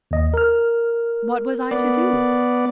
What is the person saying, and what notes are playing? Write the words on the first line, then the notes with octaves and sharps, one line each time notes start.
What was I to do?
D#2 D#5
A#4 F6
B3 D5